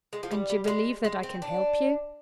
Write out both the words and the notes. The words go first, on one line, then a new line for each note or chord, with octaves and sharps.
"And you believe that I can help you?"
G#3
F3
G3
G3
G3
G#3
G#3
C4
D4